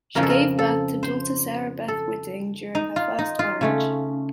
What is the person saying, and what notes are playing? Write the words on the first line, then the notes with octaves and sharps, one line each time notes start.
She gave birth to daughter Sarah Beth Whiting during her first marriage.
F2 C#3 F3 A#4
A4
A#4
A4
C5
A4
D#4
F4
D#4
F4
C#3 A3 C#4